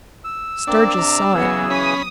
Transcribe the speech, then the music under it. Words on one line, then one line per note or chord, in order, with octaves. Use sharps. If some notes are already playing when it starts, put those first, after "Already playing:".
Sturgis saw it.
E6
A#3 C4 D4
C3 A#5
C#3 E3 F#3 B3 F#4 G#4
C#4 B5 D#6